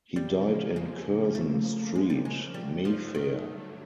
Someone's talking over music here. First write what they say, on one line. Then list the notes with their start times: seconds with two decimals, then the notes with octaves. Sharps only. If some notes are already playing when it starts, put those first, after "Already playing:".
He died in Curzon Street, Mayfair.
0.16 C#3 F3 G3 A#3
0.76 G#3
1.35 A3
1.95 G#3
2.10 G3
2.25 G#3
2.54 G2 D3 F#3 G3 A3
2.85 F3
3.15 D#3